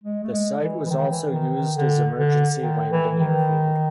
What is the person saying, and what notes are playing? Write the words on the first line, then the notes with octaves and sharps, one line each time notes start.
The site was also used as emergency landing airfield.
G#3
A3
G#3
E3
E3
D#3
E3
D#3
D#3
D3
D3
D#3
E3
D#3